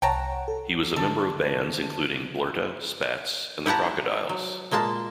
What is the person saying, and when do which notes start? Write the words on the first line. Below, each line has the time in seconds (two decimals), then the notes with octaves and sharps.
He was a member of bands including Blerta, Spats and The Crocodiles.
0.02 C2 C#5 F#5 G5 A5 A#5
0.48 A4
0.96 D3 A4 A5
3.66 E4 G4 F#5 A5 A#5
4.29 F#3
4.71 A#2 G#3 A#3 A5